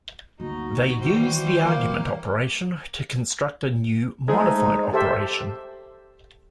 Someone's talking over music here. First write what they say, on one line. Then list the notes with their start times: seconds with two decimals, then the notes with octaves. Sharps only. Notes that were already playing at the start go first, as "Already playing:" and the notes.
They use the argument operation to construct a new modified operation.
0.40 D2 A#3 D#4 F#4
0.99 D#3 E3 G3 C5
1.64 A#3
4.28 G#3 A3 D#4 G#4 C5
4.93 G4 A4 C5 E5